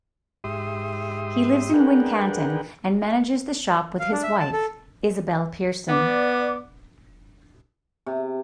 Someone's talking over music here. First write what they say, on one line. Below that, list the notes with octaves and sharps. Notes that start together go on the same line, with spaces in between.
He lives in Wincanton and manages the shop with his wife, Isobel Pearson.
G#2 G4 E5 C6 D#6
D4 G#4 A#4 B4 F#5 G5
F5
D4
E5
A5
A4
B3 D5 D6
C3